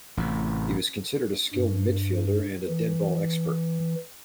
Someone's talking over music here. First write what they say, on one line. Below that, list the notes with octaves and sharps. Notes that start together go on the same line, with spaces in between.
He was considered a skilled midfielder and a dead-ball expert.
A1 A2 C3
G2
E3